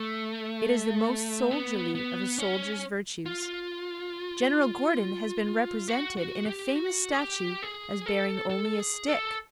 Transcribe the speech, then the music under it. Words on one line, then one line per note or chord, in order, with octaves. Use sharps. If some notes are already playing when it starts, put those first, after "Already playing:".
It is the most soldierly of a soldier's virtues. General Gordon has been represented in a famous statue as bearing only a stick.
Already playing: A3
B3
B3
C#4
F4
F#4
F#4
G4
F#4
G#4
G4
G#4
A4
A4
G#4
A4